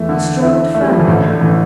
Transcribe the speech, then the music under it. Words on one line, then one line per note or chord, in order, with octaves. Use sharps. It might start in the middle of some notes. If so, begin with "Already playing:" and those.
He strode firmly.
Already playing: E2 E3 A3
D3
E4
A3
G3
F3
E3
A1 D3
D3
A2 E3